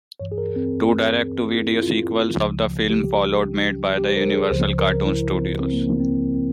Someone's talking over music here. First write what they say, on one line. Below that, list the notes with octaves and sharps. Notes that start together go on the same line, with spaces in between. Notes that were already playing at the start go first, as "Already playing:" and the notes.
Two direct-to-video sequels of the film followed, made by the Universal Cartoon Studios.
G2 E3 C#5
G#4
A#4
C4
E4
E4
F4
C#2 C#3 F3
G4
G4
C5
A#4
G#4
C#2 C#3 F3 C5
A#4
E4
C4
A#3
C4
C4
C4
C4